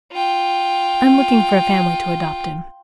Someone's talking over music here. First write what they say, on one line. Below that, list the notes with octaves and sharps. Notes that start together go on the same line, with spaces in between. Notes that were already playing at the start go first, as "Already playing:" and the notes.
I am looking for a family to adopt him.
F4 G5